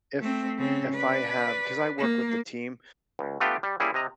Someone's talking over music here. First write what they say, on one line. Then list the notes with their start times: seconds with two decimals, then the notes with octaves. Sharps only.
if if I have 'cause I work with a team,
0.20 A3 C4
0.58 C#3 C4
0.94 B4 D5
1.98 A#3
3.19 C#2
3.40 A3 B3 D4 F4 G4 G5
3.63 G3
3.80 G3 A#3 C#4 E4 G#4
3.94 C3 D#5 A#5